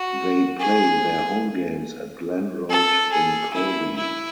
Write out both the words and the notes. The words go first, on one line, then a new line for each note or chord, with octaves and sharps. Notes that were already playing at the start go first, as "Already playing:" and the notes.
They play their home games at Glen Road in Colby.
Already playing: F#4
G#4
A4
G#4
E4
E4